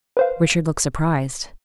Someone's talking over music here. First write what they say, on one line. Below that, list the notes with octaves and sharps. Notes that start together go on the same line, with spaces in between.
Richard looked surprised.
B4 C5 F5